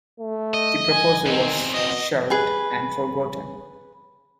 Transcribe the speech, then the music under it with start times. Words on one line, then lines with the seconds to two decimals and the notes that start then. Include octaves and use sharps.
The proposal was shelved and forgotten.
0.19 A3
0.54 D#5
0.90 G#5
1.26 E2 D#3 C4
1.73 B2 D#5
2.30 G#4 B4 G#5